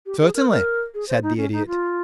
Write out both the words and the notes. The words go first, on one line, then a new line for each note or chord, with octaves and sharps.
"Certainly," said the Idiot.
G4
G#4
A#4
A#4
G#4
C5
D#4
C#4
D#4
F4